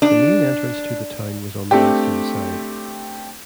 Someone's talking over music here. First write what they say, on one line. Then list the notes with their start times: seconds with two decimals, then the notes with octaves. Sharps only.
The main entrance to the town was on the western side.
0.02 D4
1.71 A3 C4 D4 G4